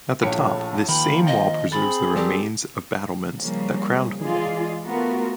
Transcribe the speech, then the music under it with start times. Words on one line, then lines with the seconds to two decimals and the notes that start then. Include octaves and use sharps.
At the top, this same wall preserves the remains of battlements that crowned the wall.
0.23 A#1 A2 C#5 G5 B5 C#7
0.88 D#3 F3 A#3 G5 B5
1.27 D#5
1.72 C4 G#4 B5 A6
2.16 G3 G4 A4 A#4
3.40 C#3 F3 G3 A#3
4.22 E3 G#3 F4 G#4 D5 D#5
4.85 A3 B3 F4 F#4 A#4